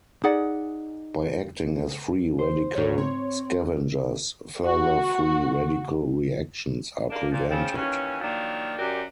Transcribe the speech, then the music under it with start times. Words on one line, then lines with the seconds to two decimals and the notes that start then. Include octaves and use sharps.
By acting as free radical scavengers, further free radical reactions are prevented.
0.24 D#4 G#4 D5 F#5
2.39 C5
2.75 G#2 D#3 C#5
2.98 C4 C#5
4.64 F#4
7.10 A#3 D4
7.31 A#2 F3
7.50 C#3 F3 C4
7.75 D#2 E3 C#4
8.21 D#3 F3 F#3 A#3 D4
8.78 F#2 F#4 G4 A#4 D5